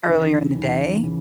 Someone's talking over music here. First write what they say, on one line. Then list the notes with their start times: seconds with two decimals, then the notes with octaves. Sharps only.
earlier in the day?
0.06 D#2 C#3 E3
0.55 D#2 C#3 E3
1.03 C#3 E3